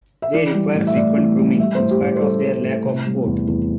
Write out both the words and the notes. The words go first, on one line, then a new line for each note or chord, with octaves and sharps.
They require frequent grooming, in spite of their lack of coat.
E5
E3 D5
G3
A2
E5
A2 D5
E3
G3
G3 E5
A2 C5
G4
A2
C5
G3 A4
G3
A2
C3
G3
E2
E2